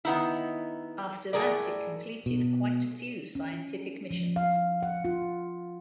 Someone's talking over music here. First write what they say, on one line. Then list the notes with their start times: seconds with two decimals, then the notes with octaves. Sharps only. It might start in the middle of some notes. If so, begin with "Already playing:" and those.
After that it completed quite a few scientific missions.
0.05 D#3 B3 D#4 E4
1.33 A2 G3 G#4 A#4 D5
2.26 B2
3.35 C#4
4.11 F3
4.36 F5
4.83 F#5
5.05 F4